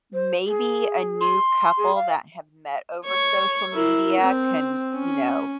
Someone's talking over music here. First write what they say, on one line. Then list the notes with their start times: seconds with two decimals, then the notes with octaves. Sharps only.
maybe a new couple that have met over social media can, you know,
0.14 C5
0.47 G#4
1.21 C6
1.78 G#4
1.95 F5
3.06 C#5 C#6
3.73 E4 A#4
4.22 C4
4.94 C#4